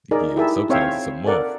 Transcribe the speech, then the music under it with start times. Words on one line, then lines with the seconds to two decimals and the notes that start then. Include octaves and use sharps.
Yeah, sometimes it's a month.
0.11 D#4 G#4 A#4 D5 D#5
0.37 E4 G4 G#4 A#4 E5 A5
0.70 C4 C5 C#5 E5 F5 G5
1.26 A4 A#4 D5 F#5